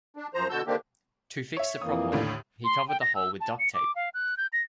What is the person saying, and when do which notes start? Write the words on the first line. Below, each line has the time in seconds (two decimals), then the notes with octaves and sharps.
To fix the problem, he covered the hole with duct tape.
0.17 D4
0.34 F#2 F3 C5 A#5
0.50 B2 D3 F#4 A5 E6 G6
0.67 D3 D#3 A#3 C4 D4 G4
1.57 C#5 E5
1.81 F2 E3 A#3 D#6
2.12 D#2 A2 D3
2.64 C6
2.88 G5
3.01 A#6
3.15 E6
3.41 A5
3.59 C#7
3.74 D6
3.96 F5
4.14 F#6
4.37 G6
4.53 A#6